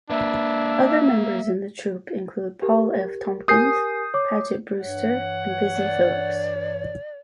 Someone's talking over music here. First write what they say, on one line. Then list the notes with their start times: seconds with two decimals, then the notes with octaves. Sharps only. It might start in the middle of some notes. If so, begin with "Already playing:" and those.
Other members in the troupe include Paul F. Tompkins, Paget Brewster and Busy Philipps.
0.10 A#3 D4 B4 E5
2.62 G4 A#4
3.48 G4 A#4 G#5 D#6 G6 C7
4.14 C#5 D6
4.80 G2 E3 C#5 F#5
5.76 D5